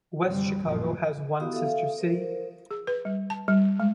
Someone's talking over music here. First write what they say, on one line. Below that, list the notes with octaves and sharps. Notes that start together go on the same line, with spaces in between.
West Chicago has one sister city.
F#1 C2 D3 G3 C4
A1 F#2 A#2 F3 G#3
B3 E4 F#4 G4 F5 D#6
A4 E5 F5
A#4 C5
G#4
B4
G3
A5
G3
G#3